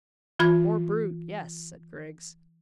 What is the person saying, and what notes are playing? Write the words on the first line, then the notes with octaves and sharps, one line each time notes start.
"Poor brute, yes," said Griggs.
E3 F4 B5 G#6